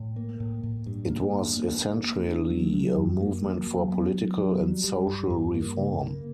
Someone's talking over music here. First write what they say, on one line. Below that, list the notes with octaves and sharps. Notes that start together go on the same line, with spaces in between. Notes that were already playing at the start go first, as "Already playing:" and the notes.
It was essentially a movement for political and social reform.
Already playing: A2
A#3
A2
A2
G2
A#3
G2
A#3
A#3
A#3
D4
F#3
F#3
F#2
A#3
F#3
F#3
B3
F#3
F#3
G3
G3
G2
G2
A#3
C#3
A#3